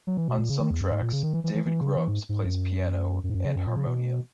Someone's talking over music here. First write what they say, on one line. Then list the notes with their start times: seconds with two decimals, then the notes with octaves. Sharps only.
On some tracks David Grubbs plays piano and harmonium.
0.07 F#3
0.17 E3
0.28 B2
0.39 A#2
0.49 C#3
0.60 D#3
0.71 E2
0.81 F#2
0.92 G#2
1.02 A#2
1.12 C#3
1.23 D#3
1.33 E3
1.44 E3
1.54 E3
1.65 E3
1.81 C#3
1.97 E3
2.08 G#2
2.29 G#2
2.44 F#2
3.24 F#2
3.30 G#2
3.34 F#2
3.45 C#3
3.56 F#2
3.67 A#2
3.77 C#3
3.87 B2